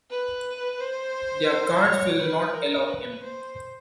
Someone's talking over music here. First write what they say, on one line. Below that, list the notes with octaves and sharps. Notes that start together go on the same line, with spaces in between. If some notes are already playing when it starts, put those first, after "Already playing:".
Their guards will not allow him.
B4
C5
C#5
B4
A#4
B4
C5